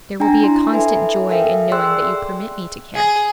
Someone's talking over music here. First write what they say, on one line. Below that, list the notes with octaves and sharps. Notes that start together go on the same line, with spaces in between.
'There will be a constant joy in knowing that you permit me to care.'
D4 G5 G#5 A#5
E4 C6
A4 B4 E5 G#5
A4 A#4 E5 F5 G5
G#4 D5 G5 C6 E6 F#6
G#4